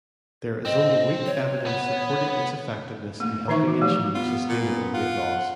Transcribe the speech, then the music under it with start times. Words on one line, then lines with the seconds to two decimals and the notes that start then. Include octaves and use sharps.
There is only weak evidence supporting its effectiveness in helping achieve sustainable weight loss.
0.65 C4 D#5
1.26 C#5
1.66 B3 B4
3.20 A3 A#3
3.48 D#3 E3 D#4 C5 E5 C#6
3.68 F#4
3.81 F3 A3 G4
4.15 B3 F4
4.48 A#2
4.94 F4 F#5